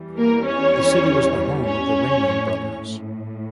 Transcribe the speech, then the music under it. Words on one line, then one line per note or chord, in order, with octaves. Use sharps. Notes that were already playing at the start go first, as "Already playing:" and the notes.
The city was the home of the Ringling Brothers.
Already playing: E2 E3 G3
A#3 A#4
C#4 C#5
C#4 C#5
A2